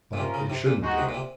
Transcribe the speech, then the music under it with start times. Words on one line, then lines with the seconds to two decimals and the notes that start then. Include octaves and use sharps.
But it shouldn't be.
0.13 A#2
0.17 C3 C#4 F4 A#4
0.34 C#3
0.50 C3
0.66 A#2
0.82 G#3 D#4 F#4
0.98 C3
1.09 A#2
1.14 C3